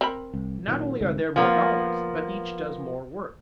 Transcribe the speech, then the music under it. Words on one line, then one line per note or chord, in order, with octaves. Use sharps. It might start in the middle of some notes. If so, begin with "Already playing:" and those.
Not only are there more dollars, but each does more work.
C4 A#4 B5
C2
A#2 D#3 F#3
D2 G#2 C3
F3 A#3 B3